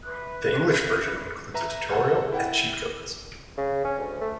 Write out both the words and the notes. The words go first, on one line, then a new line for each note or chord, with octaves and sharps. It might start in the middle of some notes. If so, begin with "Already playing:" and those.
The English version includes a tutorial and cheat codes.
B4 E5 B5 F#6
B4 E5 A#5
A4 C5 F#5 G#5
E4 F#5 G5
C#3
C#4
D2
A3